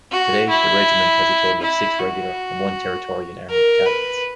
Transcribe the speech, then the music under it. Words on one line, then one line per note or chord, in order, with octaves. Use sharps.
Today, the regiment has a total of six regular and one Territorial Army battalions.
F#4
E4
E4
F#4
A#4
B4